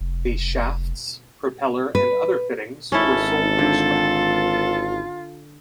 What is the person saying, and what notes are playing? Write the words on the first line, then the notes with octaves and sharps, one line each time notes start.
The shafts, propeller and other fittings were sold for scrap.
F1
B4
G#1 C#4 E4 A4
D3 F4